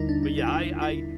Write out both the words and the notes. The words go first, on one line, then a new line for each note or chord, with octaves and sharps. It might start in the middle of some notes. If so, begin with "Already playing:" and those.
but, yeah, I I
Already playing: D#2 D3 G3 D#4 E4 A#4
D4
D#4
E4
F4
E4
E4